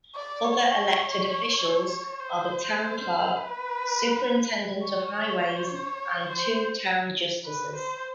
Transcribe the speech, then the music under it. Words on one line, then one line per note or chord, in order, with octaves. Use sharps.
Other elected officials are the Town Clerk, Superintendent of Highways and two Town Justices.
D5
C#5
C5
B4
C#5
C#5
C5
B4
C5